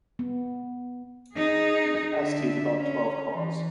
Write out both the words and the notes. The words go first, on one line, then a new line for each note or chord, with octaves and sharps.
The capacity is about twelve cars.
B3
D#4 G#4
D3 E5
C#4
E3